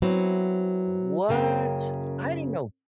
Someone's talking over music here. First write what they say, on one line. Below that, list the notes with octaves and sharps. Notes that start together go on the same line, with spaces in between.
What! I didn't know
F#3 B3 C4 E4
F#2 C#3 A#3 G5